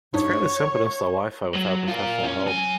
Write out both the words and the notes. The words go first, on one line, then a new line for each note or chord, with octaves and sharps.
It's fairly simple to install wi-fi without professional help.
G2 D4 D#4 C#5
F#3
F4 A#4
C#4
F#3 G#5